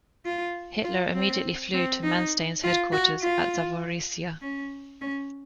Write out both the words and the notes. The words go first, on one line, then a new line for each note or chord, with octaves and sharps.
Hitler immediately flew to Manstein's headquarters at Zaporizhia.
F4
F4
C4
C4
D#4
F4
F#4
F4
C#4
C#4